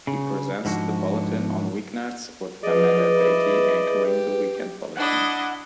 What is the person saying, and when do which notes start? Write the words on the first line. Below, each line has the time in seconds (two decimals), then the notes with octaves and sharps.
He presents the bulletin on weeknights, with Amanda Abate anchoring the weekend bulletin.
0.07 C#3
0.65 G#2 D3 F3 F#4
2.63 F3 F4 G#4 B4 D5 D#5
3.18 E4
4.03 G4
4.97 D4 E4 D#5 F#5